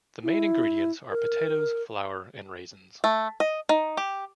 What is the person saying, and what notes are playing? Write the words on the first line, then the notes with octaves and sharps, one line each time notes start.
The main ingredients are potatoes, flour and raisins.
E4
A#4
A3
D#5
D#4
G4